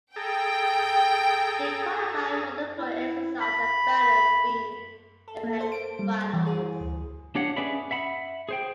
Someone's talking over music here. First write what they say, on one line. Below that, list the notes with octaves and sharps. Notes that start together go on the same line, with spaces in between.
She qualified for the floor exercise and balance beam event finals.
G#4 A4 G5 A#5
E4
B5
A4
A#3
C5
D7
G3
E3
G#4
D2
D4 G4 C#5 F5 F#5
C#4 G#4 B4 D5 E5 B5
E5 F#5 B5
G#4 C5 G5